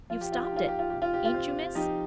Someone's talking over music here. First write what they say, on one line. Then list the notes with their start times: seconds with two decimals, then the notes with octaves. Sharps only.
"You've stopped it--ain't you, miss?"
0.10 F3 F4
0.21 G4
0.32 F4
0.44 G4
0.51 D#4
0.56 F4
0.68 G4
0.79 F4
0.90 C3 G4
1.02 F4
1.14 G4
1.25 F4
1.34 C4
1.75 F3 D#4 G4